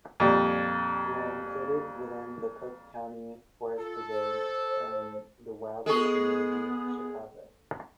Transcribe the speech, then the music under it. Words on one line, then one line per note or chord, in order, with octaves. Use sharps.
They are included within the Cook County Forest Preserve and Wildwood community of Chicago.
F2 A#2 G3
F4 A4
C5
G#3 B3 G#4 A4 C#6